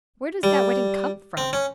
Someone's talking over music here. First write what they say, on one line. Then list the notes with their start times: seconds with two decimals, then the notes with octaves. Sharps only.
"Where does that wedding come from?"
0.43 G3
1.37 C4
1.53 C#4